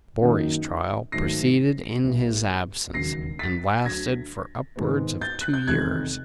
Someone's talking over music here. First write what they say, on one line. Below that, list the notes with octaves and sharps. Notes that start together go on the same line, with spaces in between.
Borri's trial proceeded in his absence, and lasted for upwards of two years.
F#2 D#3 F#3 A#3 D#4
G#2 D#3 F#3 A3 A#6 C7
A#1 A#2 G3 B3 E4
E1 D#2 C#3 F#3 A#6 C7
A6 B6
D2 D3 F#3 G#6 A#6
G#2 D#3 G#3 B3
G6 A6
F#6
G6
F1 E2 C3 D#3 G#3 F#6 G#6